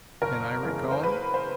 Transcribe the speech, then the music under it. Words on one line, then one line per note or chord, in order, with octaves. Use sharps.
Can I recall it?
F#1 A#4
E2 C#3 E3 G#3
C5
F#1 B4
C5